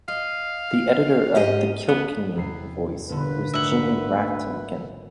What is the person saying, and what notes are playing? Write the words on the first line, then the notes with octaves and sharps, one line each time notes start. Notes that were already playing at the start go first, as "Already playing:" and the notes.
The editor of "The Kilkenny Voice" was Jimmy Rhatigan.
D#5 F5
G#2 G4 D#5
D2 B3
E2 C3 C7
G1 A#2 D3 B4
G#1 D2 D#4 E5 F#5 G#6